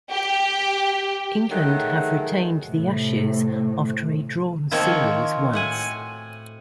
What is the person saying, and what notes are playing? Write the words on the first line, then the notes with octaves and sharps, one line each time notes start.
England have retained the Ashes after a drawn series once.
G4
D#3 F#3 A3 G#4 F#5
A2 C3
D#3 F3 A#3 C4 F#4 C#5
A2 F#5 G#5